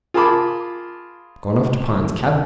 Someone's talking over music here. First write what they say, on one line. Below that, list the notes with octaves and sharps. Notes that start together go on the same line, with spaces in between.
Gone off to Pine's cabin!
F4 G#4 A#4 A5 B5 D6